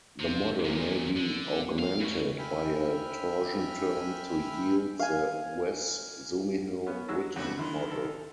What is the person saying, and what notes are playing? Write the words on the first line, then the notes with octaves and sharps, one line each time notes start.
The model may be augmented by a torsion term to yield the Wess-Zumino-Witten model.
C3
E2 A#2
D3
F5
E3 C#4
E5 G5 G#5 B5 F6
F5 G#5
B3 C#4
F#3 G#3 E6
F2 D3 E3 F#3 F#4 G4
D3 D#3 F#3 D#4 E4 C6
A4